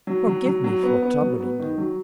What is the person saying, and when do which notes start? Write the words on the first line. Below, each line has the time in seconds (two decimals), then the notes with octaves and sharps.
"Forgive me for troubling you..."
0.07 F#3
0.27 F#3
0.46 F#3
0.64 F#3
0.83 B3
1.02 B3
1.22 F#3
1.40 B3
1.59 D#3
1.78 F#3